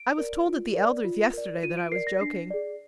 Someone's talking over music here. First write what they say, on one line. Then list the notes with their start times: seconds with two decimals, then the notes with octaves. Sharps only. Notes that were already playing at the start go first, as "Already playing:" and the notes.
I was told at the elder's yesterday that I was joking.
Already playing: D7
0.18 A#4 D5
0.46 F4
0.76 A#4 D5
1.04 F4
1.33 A#4 D5
1.63 F4 D#7
1.77 D7
1.92 A#4 D5 C7
2.07 A#6
2.21 D4 C7
2.50 G#4 D5